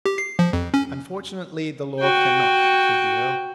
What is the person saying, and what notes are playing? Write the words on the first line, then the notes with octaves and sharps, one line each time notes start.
"Unfortunately the law can not," said the Earl.
G4
C7
F3
F2
C#4
F#4 G5